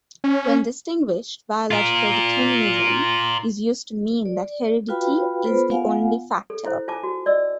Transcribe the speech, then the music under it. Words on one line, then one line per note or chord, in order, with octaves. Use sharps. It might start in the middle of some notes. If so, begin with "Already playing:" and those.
When distinguished, biological determinism is used to mean that heredity is the only factor.
C#4
F4 A#4
D5
F4 F#4 B4 F5 G5 B5
B3 F4 A4 B4 C5 B5
B3 F4 F5 F#5 G#5
A4
E4 C5
F4 G#5 A5 D6
F#4
D5 D#5 E6